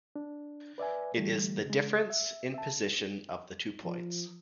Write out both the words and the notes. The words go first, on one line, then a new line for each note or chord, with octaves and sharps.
It is the difference in position of the two points.
D4
B4 D5 E5 G#5
D3 E3 G3 A3
C#3 G#3
E5
E5 A5
F3